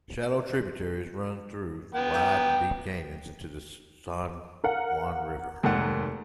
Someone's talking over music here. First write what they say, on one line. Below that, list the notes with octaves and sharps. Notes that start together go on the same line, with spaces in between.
Shallow tributaries run through the wide and deep canyons into the San Juan River.
B3 G5
D#4 G4
A#4 F5 F#5
F1 D#2 G#2 A#4 F#5